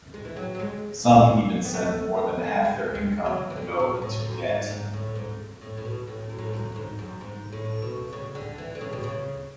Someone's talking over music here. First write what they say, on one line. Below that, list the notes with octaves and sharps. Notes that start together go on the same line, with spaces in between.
Some even send more than half their income and go into debt.
G#3
E3
F#3
F#3
G#3
B3
A3
G#3
G#3
F#3
E3
D3
B2
A2
F#2
G#2
G#2
A2
G#2
A2
A2
B2
A2
F#2
A2
G#2
F#2
A2
G#2
F#2
G#2
A2
B2
C#3
D3
E3
D3
C#3
B2
C#3